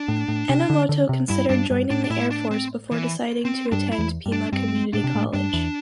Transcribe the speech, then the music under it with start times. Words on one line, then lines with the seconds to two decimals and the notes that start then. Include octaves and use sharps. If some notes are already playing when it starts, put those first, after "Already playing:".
Enomoto considered joining the Air Force before deciding to attend Pima Community College.
Already playing: D4
0.08 A2
0.28 A2
0.49 C3
0.70 D3
0.89 D3
1.09 C3
1.29 G2 E4
1.49 G2 D4
1.70 G2
1.90 A2 D4
2.04 D4
2.10 A2 E4
2.31 D4
2.51 C4
2.91 E3
3.45 C4
3.72 G2 D4
3.92 E4
3.98 E2
4.26 G2
4.32 D4
4.52 G2 C4
4.93 A2 D4
5.04 C3
5.15 A2
5.34 G2 D4
5.53 E2